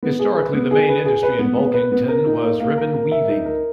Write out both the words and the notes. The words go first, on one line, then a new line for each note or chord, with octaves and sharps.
Historically the main industry in Bulkington was ribbon weaving.
B3
G#4
B4
B3
G#4
B4
G#4
B4
B3
B3
B4
B3
A#4
D#4
A#3
A#3
A#4
A#4
E5
D#4
A#4